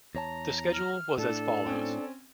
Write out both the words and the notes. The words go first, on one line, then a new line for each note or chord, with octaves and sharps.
The schedule was as follows.
E2 C#5 A5 A#5
F6
A2 D4 A4
C4 C#4